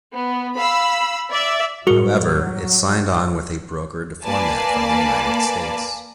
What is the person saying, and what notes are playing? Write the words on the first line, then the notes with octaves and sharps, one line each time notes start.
However, it signed on with a brokered format from the United States.
B3
F5 B5 E6
D5 E5
A2 F#3 G3 F#4 G#4 A#4 C#7
A#3 B4 D5 G#5 A5